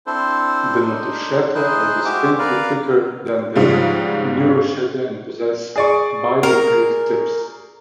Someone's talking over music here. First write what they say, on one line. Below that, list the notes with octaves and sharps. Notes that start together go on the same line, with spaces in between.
The notochaetae are distinctly thicker than the neurochaetae and possess bidentate tips.
C4 D4 E4 A4 C5
D4 D#4 C5
D#4 E4 G#4 C5 F#6
G#3 F#4 G4 C5 E5 D6
A#4 B4 D5 F5
G#2 C#3 F3 G3
G#4 D5 C#6
A#4